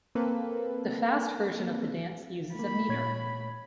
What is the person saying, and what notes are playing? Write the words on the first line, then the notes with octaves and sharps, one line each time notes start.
The fast version of the dance uses a meter.
A#3 C4 A4 B4
A3 A#3 B5
A#2 C#5 G#6